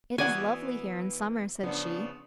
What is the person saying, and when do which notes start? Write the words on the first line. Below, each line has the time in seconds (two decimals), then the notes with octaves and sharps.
"It is lovely here in summer!" said she.
0.18 E3 B3 F#4 D5 F#5 G#5
1.63 C#3 F3 B3 D4